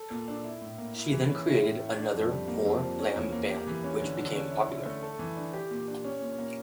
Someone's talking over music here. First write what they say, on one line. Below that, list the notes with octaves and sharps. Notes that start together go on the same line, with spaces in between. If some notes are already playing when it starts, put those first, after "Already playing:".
She then created another Mor lam band which became popular.
Already playing: A4
A#2
D4
E4
A2
A#3
E4
E3
C#4
E4
A2
A3
D4
F2
G3
A#3
F2
F3
C#4
E2
A#3
G4
E3
C#4
D3
D3
C#4
E4
D3
A3
A4
E3
D4
G4
A#2
D4
C#4
A#2
A#3